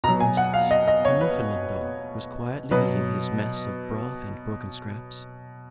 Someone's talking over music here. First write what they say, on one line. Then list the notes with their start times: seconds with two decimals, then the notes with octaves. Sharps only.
For instance, a Newfoundland dog was quietly eating his mess of broth and broken scraps.
0.04 B2 A#5
0.09 F#3
0.20 G#5
0.37 F#5
0.53 F5
0.71 D#5
0.88 D#5
1.05 C#5
1.21 B4
2.71 B2 F#3 B4